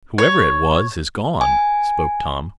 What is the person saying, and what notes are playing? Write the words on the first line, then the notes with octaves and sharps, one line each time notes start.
"Whoever it was, is gone," spoke Tom.
C#5
G#5